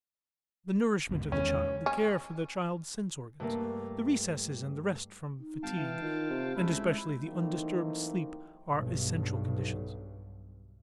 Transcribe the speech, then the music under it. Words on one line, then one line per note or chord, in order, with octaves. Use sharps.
The nourishment of the child, the care for the child's sense organs, the recesses and the rest from fatigue, and especially the undisturbed sleep are essential conditions.
G1 D2 G#2
E2 D#3 G#3 C#4
C#4
G2 A3 A#3
D#4
G#1 F5 G5 A5
E3 E4
D#3 F4
C3
C#2 G#3 A3 E4
E3 F#3 A3 A#3 C4 D#4
B1 G2